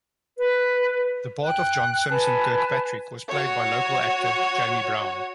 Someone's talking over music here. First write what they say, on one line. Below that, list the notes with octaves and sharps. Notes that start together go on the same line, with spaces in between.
The part of John Simpson Kirkpatrick was played by local actor Jamie Brown.
B4
G5 F#6
B4 G#5 A5
F#4 C#5